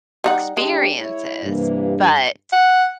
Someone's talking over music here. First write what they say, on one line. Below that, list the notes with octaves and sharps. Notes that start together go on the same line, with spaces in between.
experiences, but
G3 D#4 F#5
G#3 D4 G4
E4 C#5
G2 C3 E3 A#3
F#5